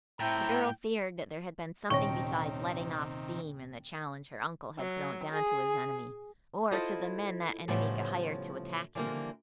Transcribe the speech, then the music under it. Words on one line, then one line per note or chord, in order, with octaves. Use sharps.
The girl feared that there had been something besides "letting off steam" in the challenge her uncle had thrown down to his enemy, or to the men that enemy could hire to attack him.
A2 C4 E4 G5 A#5
D#1 C3 D#3 C#5 G5 C#6 A#6
F#3
G#4
E4 F4 A4 C5 D#5
A2 C#3 F3 G3 B3
D3 E3 F3 G3 A3 A#3